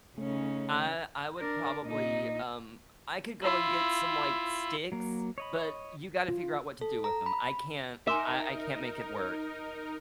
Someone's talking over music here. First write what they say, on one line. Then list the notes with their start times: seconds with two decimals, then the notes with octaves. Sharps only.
I I would probably, um, I could go and get some, like, sticks, but you gotta figure out what to do with them. I can't I I can't make it work.
0.18 C#3 A3 C#4 D#4
1.39 D4 A#4
1.83 A#2 D#4
3.42 E4 F4
4.92 F#3 A#3
5.38 C#5 D#5 B5
6.29 F4
6.81 A4
7.04 A#5
7.26 B5
8.07 D#4 A#4 E5 G#5 C6 D6